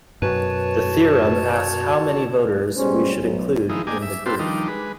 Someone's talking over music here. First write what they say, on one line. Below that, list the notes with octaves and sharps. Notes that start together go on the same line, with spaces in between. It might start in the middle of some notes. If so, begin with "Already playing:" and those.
The theorem asks how many voters we should include in the group.
F#2 B2 F#4 B4 C#5 A5
B2 G3 G#3 C#4 C5
B1
D#3 F3 G#3 D#4 E4
A#3 D4 G4 D#5 G#5
E5
C4 F4 G4 A4 B4 C5
D#3 F3 G3 D4 D#4
G#3 B4